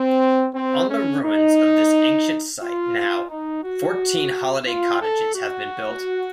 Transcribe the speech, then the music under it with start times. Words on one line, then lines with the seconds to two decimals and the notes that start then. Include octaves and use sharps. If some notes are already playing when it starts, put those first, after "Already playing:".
On the ruins of this ancient site now fourteen holiday cottages have been built.
Already playing: C4
0.55 C4
0.89 C#4
1.24 D#4
2.61 F4
3.29 D#4
3.64 F#4
4.67 F4
5.01 A4
5.35 F#4